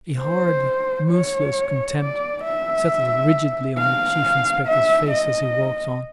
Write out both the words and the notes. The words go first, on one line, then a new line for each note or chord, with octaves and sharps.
A hard, merciless contempt settled rigidly on the Chief Inspector's face as he walked on.
C5
C#5
D5
E5
F5
E5
D#5